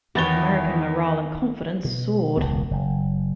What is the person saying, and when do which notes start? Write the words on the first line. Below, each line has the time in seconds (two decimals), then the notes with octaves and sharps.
American morale and confidence soared.
0.15 E2 D#3 B3 E4 C#5 A6 G7
1.85 B2
2.37 E1 C#2 B3
2.71 F#1